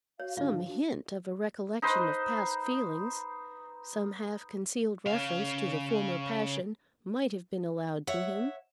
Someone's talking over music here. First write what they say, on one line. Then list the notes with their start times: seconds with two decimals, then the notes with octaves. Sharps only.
Some hint of a recollection of past feelings, some half-concealed reference to the former passion might have been allowed to him!
0.20 F#4 C#5 F5
0.37 G#2 D3 D#3 D4 F4 F5
0.67 D4 F#4
1.82 D#4 B4 C5
5.06 C#3 F5
8.07 C#5 E5 F#5